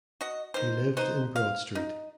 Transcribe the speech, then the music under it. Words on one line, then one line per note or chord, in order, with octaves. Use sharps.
He lived in Broad Street.
F#4 D#5
D#3 C5
B3 D#4 C5
F5
D#4